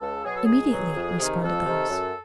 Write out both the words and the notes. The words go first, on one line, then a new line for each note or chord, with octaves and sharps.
"Immediately," responded the host.
C#2 A4
B2 F#3 G#4
A4
C#2 G#4
B2 F#3
F2
C3 D#3
F2 A4
C3 D#3
F#2